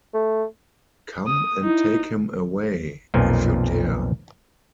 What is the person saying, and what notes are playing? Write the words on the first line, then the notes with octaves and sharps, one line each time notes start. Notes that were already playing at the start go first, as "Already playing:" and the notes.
Come and take him away, if you dare.
A3
D#6
D#4 E4
B1 F2 A#2 F3